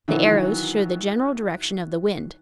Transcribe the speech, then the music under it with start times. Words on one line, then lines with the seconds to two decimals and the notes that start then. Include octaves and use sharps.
The arrows show the general direction of the wind.
0.08 D#3 E3 F#3